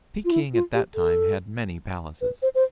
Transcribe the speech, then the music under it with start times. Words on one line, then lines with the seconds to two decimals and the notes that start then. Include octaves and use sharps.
Peking at that time had many palaces.
0.25 F4
0.32 E4
0.54 F4
0.74 G4
0.95 A4
2.21 B4
2.42 C5
2.55 C5